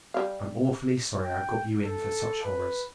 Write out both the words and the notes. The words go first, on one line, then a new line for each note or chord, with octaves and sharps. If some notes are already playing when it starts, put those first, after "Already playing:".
I'm awfully sorry I got you in for such horrors.
G3 F5
G5
A4
B4